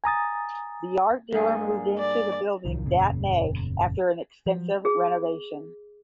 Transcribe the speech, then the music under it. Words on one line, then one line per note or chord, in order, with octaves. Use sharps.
The art dealer moved into the building that May after an extensive renovation.
G#5 A#5 D#6 A6
G2 A#3 G#4
D5
D1 C2 D#3 F3
F#1 E2 A#2 C#3
F3 F#3
G#4